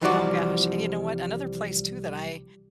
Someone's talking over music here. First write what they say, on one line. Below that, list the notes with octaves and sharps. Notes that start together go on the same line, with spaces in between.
Oh gosh, and you know what, another place too that I
C2 E3 F3 G3 F#4 D5